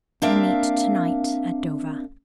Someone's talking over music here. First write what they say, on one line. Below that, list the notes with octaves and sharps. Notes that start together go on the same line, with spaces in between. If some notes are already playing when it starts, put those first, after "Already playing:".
We meet to-night at Dover!
A#3 C4 D4 A#4 E5 F5